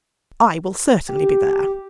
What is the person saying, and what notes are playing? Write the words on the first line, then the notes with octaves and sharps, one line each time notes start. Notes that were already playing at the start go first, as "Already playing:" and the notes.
I will certainly be there.
G4